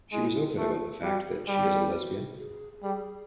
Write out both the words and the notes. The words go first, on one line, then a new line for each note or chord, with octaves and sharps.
She was open about the fact that she is a lesbian.
G#3 E4
E4
A3 F4
G3 F#4
G#4
G3 G4
F4
F#4
G#4
G3 G#4